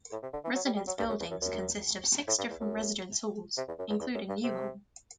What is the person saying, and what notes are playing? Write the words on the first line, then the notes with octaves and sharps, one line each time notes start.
Residence buildings consist of six different residence halls, including New Hall.
A2
C3
D3
E3
F#3
G3
G3
F#3
G2
F#2
E2
F#2
F#2
A2
G2
E2
F#2
C3
E2
F#2
E2
E2
F#2
G2
C3